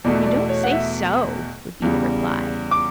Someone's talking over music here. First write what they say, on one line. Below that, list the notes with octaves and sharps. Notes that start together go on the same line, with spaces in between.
"You don't say so," would be the reply.
E2 B2 A3 D5
D5
C#5
F#5
E5
E2 C#3 G3
D6